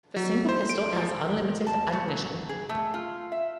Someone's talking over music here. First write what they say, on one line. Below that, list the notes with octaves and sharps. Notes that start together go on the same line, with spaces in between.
The single pistol has unlimited ammunition.
F#3
C5
D7
F3
A5
A3
F#3
G#4
A3
F4
E5